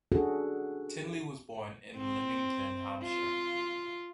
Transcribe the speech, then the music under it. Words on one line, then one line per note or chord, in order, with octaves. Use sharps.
Tinley was born in Lymington, Hampshire.
C#4 D4 F#4 G#4 A4
C4
F4